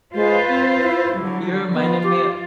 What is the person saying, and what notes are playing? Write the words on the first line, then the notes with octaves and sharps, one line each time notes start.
You reminded me, uh
G#3 F4 B4 C5
C4
E4
D3 F#3 G3
F3 B3 F4
G4